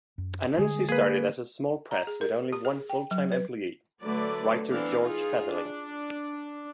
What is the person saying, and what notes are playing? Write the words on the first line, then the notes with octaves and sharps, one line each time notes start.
Anansi started as a small press with only one full-time employee, writer George Fetherling.
F#2
D3 G3 G#3 G#4
A#3 G#4 B4
A#5
G#4
A#4
G4
G#4
G5
F#3
B4
D3 F#3 A3 B4 D5
E3 B3 C4 D4 A4 F5
D#4 F4 G#4
D4